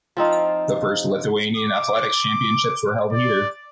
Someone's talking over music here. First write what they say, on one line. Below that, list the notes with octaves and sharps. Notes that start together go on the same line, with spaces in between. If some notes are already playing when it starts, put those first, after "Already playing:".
The first Lithuanian athletics championships were held here.
F3 C4 D#4 F4
D6
D5